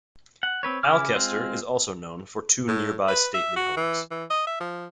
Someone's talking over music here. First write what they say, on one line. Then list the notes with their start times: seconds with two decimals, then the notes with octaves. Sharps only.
Alcester is also known for two nearby stately homes.
0.43 F#5
0.63 C4 B4 C#5
0.83 C#3 E4 G#5 D6 F6
1.15 G#3 C4 F4
2.68 A2
3.08 B4
3.34 E5
3.56 F#4
3.77 E3
4.11 E3
4.30 D#5
4.47 E5
4.60 F3